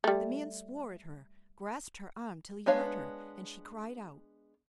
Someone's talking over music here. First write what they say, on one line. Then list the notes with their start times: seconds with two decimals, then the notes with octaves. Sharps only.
The man swore at her, grasped her arm till he hurt her and she cried out.
0.04 G3 A3
2.66 G#3 B3 D4 C#5 F5